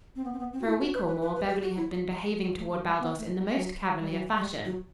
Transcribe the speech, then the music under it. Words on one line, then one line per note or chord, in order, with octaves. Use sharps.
For a week or more Beverly had been behaving toward Baldos in the most cavalier fashion.
C4
B3
C4
B3
C4
F#4
E4
F#4
B4
B4
B4
B4
G4
F#4
E4
G3
A3
F#3
G3
B3
A3
G3
F#3
G3
G3
F#3
G3
F#3